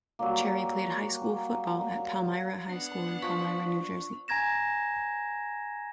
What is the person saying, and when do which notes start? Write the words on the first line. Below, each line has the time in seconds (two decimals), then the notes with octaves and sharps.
Cherry played high school football at Palmyra High School in Palmyra, New Jersey.
0.19 F#3 G3 A#3
2.69 B3 D4 F#5 C7
3.22 F3 C#6 B6
4.28 G#5 A#5 G#6 A#6 E7